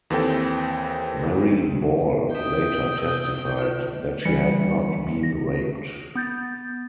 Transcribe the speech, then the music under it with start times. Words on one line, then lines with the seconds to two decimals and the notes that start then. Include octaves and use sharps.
Mary Ball later testified that she had not been raped.
0.10 D#2 E3 C4 A4 G5
2.35 B4 D#5 E5 G5 D#6
2.98 C3 A#4 E6
3.59 D3 F4
4.25 E3 G3 C#7
5.23 A#6
6.15 B3 G6 A6